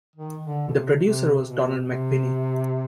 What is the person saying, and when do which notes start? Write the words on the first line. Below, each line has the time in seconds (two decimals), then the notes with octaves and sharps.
The producer was Donald McWhinnie.
0.16 D#3
0.44 D3
0.68 B2
0.73 C3
1.00 C3
1.40 C3
1.44 B2
1.87 C3